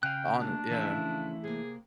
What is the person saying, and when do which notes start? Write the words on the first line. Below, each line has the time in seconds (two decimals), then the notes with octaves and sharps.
On it, yeah.
0.03 C#3 F5 G5 F#6
0.39 G3 A3 A#3 D4
0.70 C#3 E3 F3 A3 C#4 E4
1.44 C3 A#3 G#4